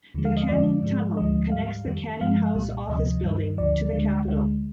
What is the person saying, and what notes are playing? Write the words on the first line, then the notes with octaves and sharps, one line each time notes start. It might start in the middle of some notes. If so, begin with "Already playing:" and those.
The Cannon Tunnel connects the Cannon House Office Building to the Capitol.
D#2 D3 F3 G#3
F5
D#5
F2 D3 F3 G#3 D5
G#2 F3 G#3
D2 D3 F3 G#3 D#5
G#2 G3 F5
F2 D#3 G3
G2 F3 G#3 F5
C2 A#2 G3
D2 C3 F3 D#5
G2 D#3 G3
D2 D3 F3 D5
D2 D3 G#3
D2 D3 G#3